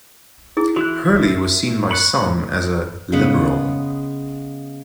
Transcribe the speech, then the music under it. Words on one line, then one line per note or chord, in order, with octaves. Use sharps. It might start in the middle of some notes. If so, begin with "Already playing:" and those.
Hurley was seen by some as a "liberal".
E4 G#4
E3 E4 F#4 F#6
E5
B5 C#6 F#6
C#3 G#3 B3